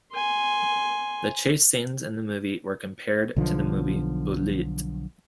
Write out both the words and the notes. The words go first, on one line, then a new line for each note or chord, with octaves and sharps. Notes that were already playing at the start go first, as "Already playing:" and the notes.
The chase scenes in the movie were compared to the movie "Bullitt".
G#5 C6
B1 D3 F3